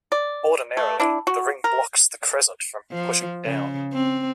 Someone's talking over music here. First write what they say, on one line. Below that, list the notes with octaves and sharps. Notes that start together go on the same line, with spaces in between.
Ordinarily, the ring blocks the crescent from pushing down.
D5
A3
D4 E4
F#4
A#4
F3
C#3
C4